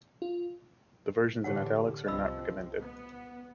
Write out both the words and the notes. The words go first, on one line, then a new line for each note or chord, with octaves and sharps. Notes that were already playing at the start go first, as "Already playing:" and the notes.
The versions in italics are not recommended.
F4
A2 D3 E3 G4 C#5 F#5
C2 F3 C4 D#5 B5 E6
B3